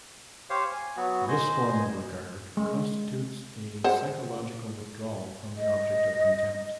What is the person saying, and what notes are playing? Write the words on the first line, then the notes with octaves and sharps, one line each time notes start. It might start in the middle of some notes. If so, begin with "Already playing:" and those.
This form of regard constitutes a psychological withdrawal from the object of contempt.
G4 C5 C#5 F5
G#5
F#3 B3 F#4
C5 D#5 G#5
G#3
C5 F#5
D#5